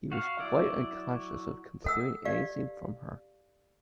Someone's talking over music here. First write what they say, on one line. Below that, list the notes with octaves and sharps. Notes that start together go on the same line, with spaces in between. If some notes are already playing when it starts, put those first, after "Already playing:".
He was quite unconscious of concealing anything from her.
F#4 F5
F#3 E4 D5
A4 F#5 E6
G4 D5 F5